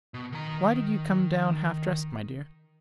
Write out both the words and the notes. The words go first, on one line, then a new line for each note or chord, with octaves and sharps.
"Why did you come down half-dressed, my dear?"
B2
D#3 A#5